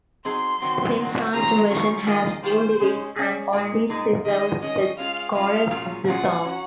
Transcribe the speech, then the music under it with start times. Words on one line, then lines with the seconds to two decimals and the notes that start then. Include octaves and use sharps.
Simpson's version has new lyrics and only preserves the chorus of the song.
0.25 F#3 C4 D#4 G#4 C6
0.62 D#3 F#3 C4 F#4
0.98 D#3 F#3 C4 F#4
1.34 D#3 F#3 C#4 F4 G#4 A#5
1.70 D#3 F#3 C#4 F4 G#4 C#6
2.07 D#3 A#3 F4 G#4 D#5
2.43 D#3 A#3 F4 G#4 C5
2.80 G#3 C#4 G#4
3.16 G#3 C#4 G#4
3.52 A#2 G#3 D#4 G#4
3.89 A#2 G#3 D#4 G#4
4.25 D#3 G#3 C#4 D#5
4.62 D#3 G#3 C#4 D#5
4.98 G#3 C#4 F4 G#4 F5
5.35 G#3 C#4 F4 G#4 F5
5.71 A#2 F#3 C#4 F4 G#4
6.07 A#2 F#3 C#4 F4 G#4 F#5
6.44 F#3 C#4 F#4